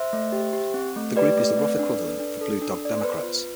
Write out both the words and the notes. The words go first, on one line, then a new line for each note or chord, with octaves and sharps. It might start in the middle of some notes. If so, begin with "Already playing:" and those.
The group is the rough equivalent of the Blue Dog Democrats.
Already playing: C5 E5
A3
G4
G4
C4
A3
G4 B4 D5
A3
C4
D4
A4
D4
A4
D4
A4 D5
C5
B3 B4
F4